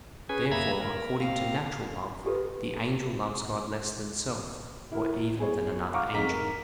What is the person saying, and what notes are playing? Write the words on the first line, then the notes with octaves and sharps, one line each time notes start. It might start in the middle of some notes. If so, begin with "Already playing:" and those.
Therefore, according to natural love, the angel loves God less than self, or even than another angel.
C#4 G#4 B4 G#5
F#2 A#3 E5 A#5 B5 G#6
A#4
A#3 C4 F5
F4 G4 A4 B4
E4 A#4
B3 G#4 C#5
F5 F#5 A#5 C#6 D6 F6
F2 D#4 G#4 A#5 B6
A#4